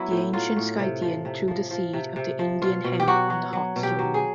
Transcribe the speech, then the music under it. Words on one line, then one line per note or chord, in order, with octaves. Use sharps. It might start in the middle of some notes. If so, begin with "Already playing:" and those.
The ancient Scythian threw the seed of the Indian hemp on the hot stones.
Already playing: F#3 B3 E4
A2
F#3 F4
A2
C3
F3
C3
F3
F3
C3
C3
F3
B2 F4
B2
G4
F#3 F#4
F#3
F#3
B2
G4
F#3
G#4